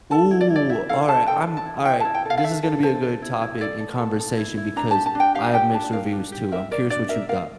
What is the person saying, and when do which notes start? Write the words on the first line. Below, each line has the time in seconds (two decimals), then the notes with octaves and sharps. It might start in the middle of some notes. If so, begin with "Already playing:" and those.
Ooh, all right. I'm All right. This is gonna be a good topic in conversation because I have mixed reviews too. I'm curious what you thought.
0.11 A4 A5
0.31 E4
0.41 D5
0.50 E4
0.56 D5
0.69 E4 E5
0.89 A4 F5
1.08 A4 A5
1.27 A4 G5
1.42 A5
1.47 A4
1.57 A5
1.66 E4
1.85 E4 G5
2.00 E4 A5
2.14 G5
2.25 A4 F5
2.38 F5
2.44 A4 E5
2.63 A4
2.83 A4 C5
3.03 A4
3.22 E4
3.41 E4
3.60 A4 D5
3.80 A4
4.00 A4
4.19 A4
4.37 E4
4.57 E4
4.76 D4 A#5
4.91 G4 A5
5.06 A5
5.15 D4 G5
5.35 G4 F5
5.54 G4 G5
5.73 D4 A5
5.93 A#4 F5
6.13 D4
6.32 G4
6.52 A#4 E5
6.71 A#4 D5
6.90 D4 D5
7.09 A#4 E5
7.29 A#4 F5